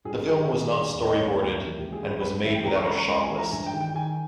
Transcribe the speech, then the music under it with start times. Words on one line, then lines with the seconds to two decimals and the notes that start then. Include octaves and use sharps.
The film was not storyboarded and was made without a shot list.
0.05 G2 G#4
0.27 D#3 G#4
0.38 G4
0.48 D#3 G#4
0.70 G2
0.92 D#2
1.05 D#5
1.14 C#3 C#5
1.24 B4
1.34 D#2 A#4
1.57 E3
1.78 C#2 G4
1.92 G#4
2.00 C#3
2.08 B4
2.21 C#2 B4
2.43 E3 E5
2.55 G5
2.64 C#2 A#5
2.75 C#6
2.82 A#5
2.86 C#3 B5
2.98 A#5
3.08 C#2 B5
3.23 G#5
3.30 E3
3.37 A#5
3.51 G2 G#5
3.66 G5
3.73 D#3
3.81 G5
3.94 D#3 G#5